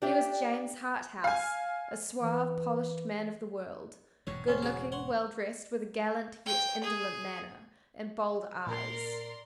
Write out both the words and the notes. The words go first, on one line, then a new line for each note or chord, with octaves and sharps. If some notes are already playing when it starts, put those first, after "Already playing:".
He was James Harthouse, a suave, polished man of the world, good-looking, well-dressed, with a gallant yet indolent manner and bold eyes.
D4 G4 E5
F5 G#5
E3
E1 G#2 D3 C#5
C4 C#4
C#3 F#4 D6
C#5 F#5 C6
G5
G#4
A#2 A#4 D5 C6